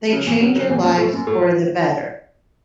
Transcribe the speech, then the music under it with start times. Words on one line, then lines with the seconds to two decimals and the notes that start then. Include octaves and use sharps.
they change your lives for the better.
0.12 C#3 F#3
0.27 B2 E3
0.40 C#3 F#3
0.55 C#3 F#3
0.69 B2 E3
0.84 F#2 B2
0.98 A2
1.13 F#2
1.27 A2